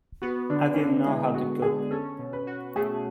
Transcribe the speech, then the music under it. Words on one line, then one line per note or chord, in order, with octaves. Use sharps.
I didn't know how to cook.
B3 F#4
D3 D4
C#4
D3 D4
G#3 E4
B3 F#4
D3 G#4
C#4 A4
B2
B4
F#4
A3 G#4